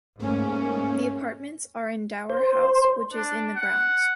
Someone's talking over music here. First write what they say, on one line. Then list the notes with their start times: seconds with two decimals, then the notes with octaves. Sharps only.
The apartments are in Dower House which is in the grounds.
0.19 G#2 A3 A#3 C#4
2.30 C5
3.13 D4
3.56 F#5